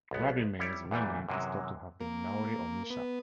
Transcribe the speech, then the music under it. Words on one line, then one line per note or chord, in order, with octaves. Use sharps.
Rabbi Meir's real name is thought to have been Nahori or Misha.
B1 B3
G3 E4 C#5 D5
E2 A#2 E3 G3 A3
F#2 C3 E3 G#3
A#3
B3